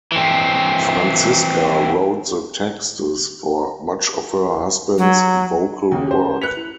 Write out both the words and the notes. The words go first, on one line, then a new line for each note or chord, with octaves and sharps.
Franziska wrote the texts for much of her husband's vocal work.
E3 C4
F#3
D#2 C#3 C#4
G4 C5
B4 F#6 B6 C#7 F7
E4